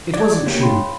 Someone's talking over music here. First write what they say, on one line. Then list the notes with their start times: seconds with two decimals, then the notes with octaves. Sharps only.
It wasn't true.
0.14 D5 D6 G#6
0.33 D5
0.45 C#2 A#3 E4 G4 G#4 C#5
0.61 F5 G5 B5 C6